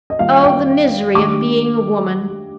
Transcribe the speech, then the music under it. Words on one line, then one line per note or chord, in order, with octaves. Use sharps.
Oh, the misery of being a woman!
D#5
D#3 G3 A#3 F4 F5
G5
D#3 A3 D4 G4 D6